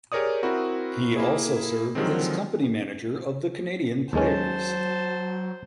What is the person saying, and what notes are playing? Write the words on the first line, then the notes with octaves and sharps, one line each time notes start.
He also served as company manager of the Canadian Players.
G4 G#4 A#4 C#5 D5 D#6
C4 E4 F#4 A#4
A#3 E4 G#4
D3 D#3 F3 F#3 G#3 C4
D#2 F#3 G#3 C#4 C5 A5